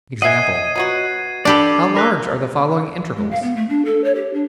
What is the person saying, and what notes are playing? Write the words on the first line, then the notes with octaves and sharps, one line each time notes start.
Example: How large are the following intervals?
D#5 E5 F#5 G#5 G#6 C7 D#7
F#3 B3 F#4
D4 G4 A4 D5 B5 D6
A#4 E6 F#6 B6
G#3
F5
B3
A3
D4
A4
C#5
G4
D4